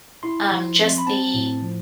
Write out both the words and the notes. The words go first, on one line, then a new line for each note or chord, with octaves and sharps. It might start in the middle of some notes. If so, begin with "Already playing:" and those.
um, just the,
E4 C6
F3
C4
C6
B5
C4 A5
A2
F3